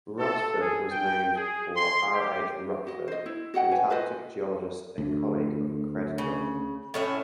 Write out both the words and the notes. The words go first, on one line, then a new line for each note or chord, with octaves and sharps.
Rutford was named for R. H. Rutford, Antarctic geologist and colleague of Craddock.
A4
G#4
G5
G#4
C6
G4
F#4 D#5
C5 D#5
E4
F#4 D#5 F#5 G5
B4 C#5 G#5
F4 B4 C5 D#5
D2
C#3
A2 C#4 E5